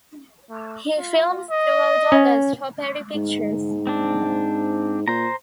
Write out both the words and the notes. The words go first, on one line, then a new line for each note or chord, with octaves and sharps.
He films throughout August for Perry Pictures.
A3
F4
D#5
C#4
G#2
C4 D4
A#2 C5 A#5